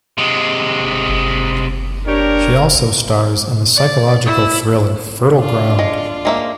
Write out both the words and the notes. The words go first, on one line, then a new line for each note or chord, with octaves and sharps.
She also stars in the psychological thriller Fertile Ground.
C3 G#3
D4 G4 A#4 C#5
D5
E4
D4 F4
G#3
G#3 A#3 E5